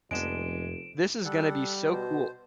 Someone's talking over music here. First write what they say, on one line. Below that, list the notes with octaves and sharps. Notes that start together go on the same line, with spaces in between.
This is gonna be so cool.
F1 F2 G#3 A#3 B3 D4 D7 E7
G3 A4 F#5
B2 C5